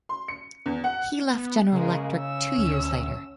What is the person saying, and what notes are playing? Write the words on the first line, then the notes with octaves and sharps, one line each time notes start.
He left General Electric two years later.
C6
C#7
E2
F#5
B3
C#3 G#3 A#3
C#4 E6
D2